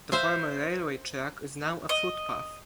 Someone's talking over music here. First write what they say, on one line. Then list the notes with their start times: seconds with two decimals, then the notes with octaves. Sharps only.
The former railway track is now a footpath.
0.12 C5 E5 F5
1.89 D#5